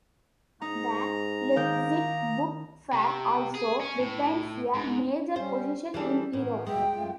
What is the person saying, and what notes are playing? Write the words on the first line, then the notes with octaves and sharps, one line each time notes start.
The Leipzig Book Fair also retains a major position in Europe.
G#2 D#4 A#5
D#3 A#3 G6
C3
G#4
C#4
A2
G#2
G3 C#4 C5
E3 G3 D4 G#4 A4
A2 E3 B3 A#4
D#2 B2 G#3 E5 G5
F#2 A3 F4